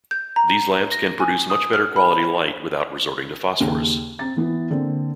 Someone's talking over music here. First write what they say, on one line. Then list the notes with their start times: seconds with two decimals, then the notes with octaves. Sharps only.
These lamps can produce much better quality light without resorting to phosphors.
0.11 G6
0.36 A#5
0.92 A#6
1.20 G#5
1.50 D#6
1.73 F6
1.96 B5
3.60 D#2 C#3
4.19 C4 A#5 A6
4.36 E3 B3 E4
4.70 D3 A#3 C4